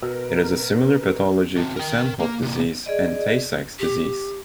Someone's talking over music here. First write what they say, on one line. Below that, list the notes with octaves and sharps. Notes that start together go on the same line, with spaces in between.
It has a similar pathology to Sandhoff disease and Tay-Sachs disease.
B2 F#4 A#4 B4
C4 F#4
A#4 G5
A#3
C3 A#3
G#4 D5 D#5
G4